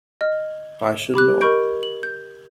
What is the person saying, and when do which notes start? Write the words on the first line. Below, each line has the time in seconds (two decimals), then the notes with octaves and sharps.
I should know.
0.21 D#5 F6
1.14 G4 B5 D6 F#6
1.41 A#4 D#5 B5 C#6 G6 D7
1.83 F#7
2.03 G6